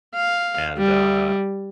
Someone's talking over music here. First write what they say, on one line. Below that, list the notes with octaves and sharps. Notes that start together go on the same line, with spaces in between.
and, uh
F5
G3